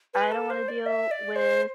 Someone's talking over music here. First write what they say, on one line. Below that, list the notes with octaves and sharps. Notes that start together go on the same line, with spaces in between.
I don't wanna deal with,
B4
A4
C5
D5
E5
D5
C5